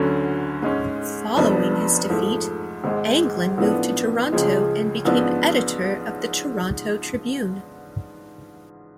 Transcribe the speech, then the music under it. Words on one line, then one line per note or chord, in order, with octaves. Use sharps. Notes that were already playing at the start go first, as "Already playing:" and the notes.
Following his defeat, Anglin moved to Toronto and became editor of the "Toronto Tribune".
Already playing: D2 D3 F#3 C#4
G#2 G#3 C#4
F1 F2 F3 B3 D4
G#2 F3 A3
G#1 G#2 G#3
A1 A2 F3 B3 D4
C#2 C#3 F3 G#3
A1 G#2 F3 B3 D4